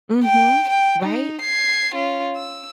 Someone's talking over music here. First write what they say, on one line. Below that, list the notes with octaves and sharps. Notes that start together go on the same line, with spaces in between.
Mhm. Right?
G5
G5
D#4
G#6 C7
C#4 F4
E6